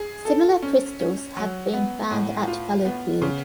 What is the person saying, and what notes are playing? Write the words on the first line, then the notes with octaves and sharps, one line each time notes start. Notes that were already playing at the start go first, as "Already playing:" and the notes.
Similar crystals have been found at Fallowfield.
Already playing: G#4
A4
C#4
C#4
F#3
B3
A2
F4
B3
C#3